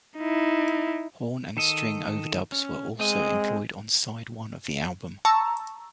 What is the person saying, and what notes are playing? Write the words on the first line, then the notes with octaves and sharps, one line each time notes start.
Horn and string overdubs were also employed on side one of the album.
D#4 E4
D#3 A4 D#5
C#4
G#3 C4 D#5
A5 A#5 C#6 E6